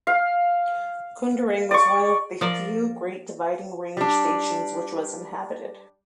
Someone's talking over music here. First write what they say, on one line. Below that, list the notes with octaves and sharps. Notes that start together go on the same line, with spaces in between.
Kunderang was one of the few Great Dividing Range stations which was inhabited.
F5
D5 C#6
F3 A#4 D5
G3 D4